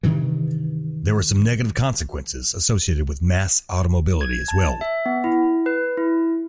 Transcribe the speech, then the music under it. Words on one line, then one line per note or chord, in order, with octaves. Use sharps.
There were some negative consequences associated with mass automobility as well.
G2 C3 D#3 E3
G#6
A5
E5
B3
E4
B4
E4